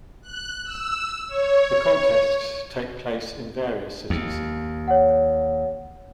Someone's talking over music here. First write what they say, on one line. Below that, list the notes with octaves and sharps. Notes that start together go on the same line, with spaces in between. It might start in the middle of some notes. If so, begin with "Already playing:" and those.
The contests take place in various cities.
F#6
E6
C#5
D#2
C#5 F#5